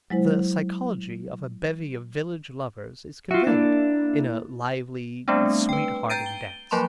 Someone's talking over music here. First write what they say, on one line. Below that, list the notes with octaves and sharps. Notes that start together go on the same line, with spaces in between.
The psychology of a bevy of village lovers is conveyed in a lively sweet-hearting dance.
F#3 G#3 E4 C5
F4 F#4 E5
A#3 D4 E4
G3 A3 B3 C4 D4
B4 G5
G5 A#5 G6 A6 D7 D#7
G7
F3 F#3 A#3 A5 B5 C6